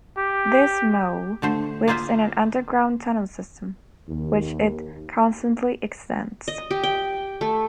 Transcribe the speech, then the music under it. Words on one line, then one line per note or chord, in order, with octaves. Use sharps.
This mole lives in an underground tunnel system, which it constantly extends.
G4
D3 A3 C5
A#3 F4 G#4 C5 E5
D#2
D#5
G4
G5
A3